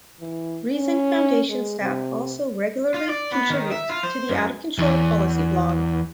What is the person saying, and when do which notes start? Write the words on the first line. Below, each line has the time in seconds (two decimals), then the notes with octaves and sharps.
Reason Foundation staff also regularly contribute to the "Out of Control Policy Blog".
0.21 E3
0.73 C#4
1.50 G#3
1.81 C3
2.94 F4
3.09 D5
3.32 B3
3.50 D#3
3.71 E5
3.89 F4
4.03 C5
4.29 F#2
4.78 E2